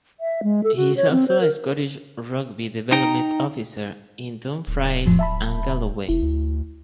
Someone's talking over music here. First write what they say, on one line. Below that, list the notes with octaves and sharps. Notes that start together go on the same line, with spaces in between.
He is also a Scottish Rugby development officer in Dumfries and Galloway.
E5
G#3
A4
F#4
C#5
C4
C5
A#4
D#4 G5 A#5
D1
F2 A2 F3
E5 A5 B5
F1 E4
D2